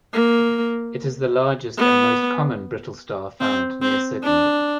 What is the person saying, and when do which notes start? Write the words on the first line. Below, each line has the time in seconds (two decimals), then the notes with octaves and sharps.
It is the largest and most common brittle star found near Sydney.
0.14 A#3
1.78 B3
3.41 C4
3.82 C4
4.23 D4